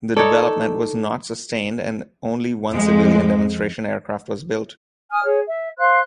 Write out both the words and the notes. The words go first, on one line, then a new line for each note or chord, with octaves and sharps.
The development was not sustained and only one civilian demonstration aircraft was built.
D#4 A4 C#5 D5
F2 G#3
G#5 D#6 F6
G#4 C#5
E5
C5 F5 C6 F#6